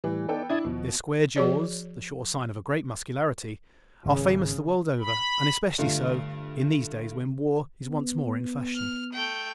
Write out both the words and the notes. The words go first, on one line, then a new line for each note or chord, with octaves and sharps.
Their square jaws--the sure sign of great muscularity--are famous the world over and especially so in these days when war is once more in fashion.
A2 E3 G3
B3 D#4 A4 D5 G5
D4 E4 A5 D#6 G#6
D#2 B2 F3
F3 F#4 G#4 C#5 D5
G#1 C#3
B5
G2 D3 A3 F4
B3
F6
A3 G5